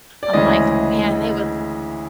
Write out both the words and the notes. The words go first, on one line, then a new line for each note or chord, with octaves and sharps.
I'm like, "Man, they would
D5
D2 C#3 E3 G#3 D#5